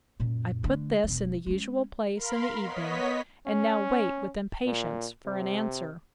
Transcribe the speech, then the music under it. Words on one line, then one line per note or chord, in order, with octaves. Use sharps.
I put this in the usual place in the evening; and now wait with impatience for an answer.
F#2 A#2
D3 A3
E1 G#3
G#3 C#4
A#4 F5 B5 C6
B3 C#5 D#5 B6
C#4
A#2
C3